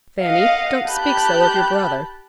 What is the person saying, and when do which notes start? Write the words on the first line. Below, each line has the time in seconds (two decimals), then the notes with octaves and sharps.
'Fanny, don't speak so of your brother.
0.22 D#5 F5 F#5
0.89 G4 A5 B5 F#6 G6